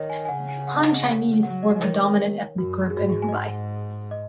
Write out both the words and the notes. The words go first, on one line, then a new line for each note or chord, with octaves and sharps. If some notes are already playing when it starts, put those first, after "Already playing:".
Han Chinese form the dominant ethnic group in Hubei.
Already playing: D#3 C#5 D#5
G#5
G#5
C#3 F#5
G#5
F#5
D#5
F#5
F#3 F#5
D#5
D#5
D#3 C#5
F#2 F#4
G#4
G#2 F#4
G#4
G#5
D#5
F#5
D#5